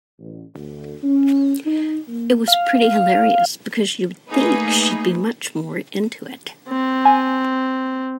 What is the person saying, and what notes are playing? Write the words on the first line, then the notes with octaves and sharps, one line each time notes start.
It was pretty hilarious because you would think that she would be much more into it.
A1
D2
C#4
D#4
A#3
F5
A3 A#3 D#4 G#4 B4
C4
G#5